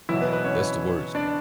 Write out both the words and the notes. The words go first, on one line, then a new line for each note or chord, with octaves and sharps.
Like, that's the worst.
B2 E3 F#3 E4
B3 B4
B3 B4
C#4 C#5
D4 D5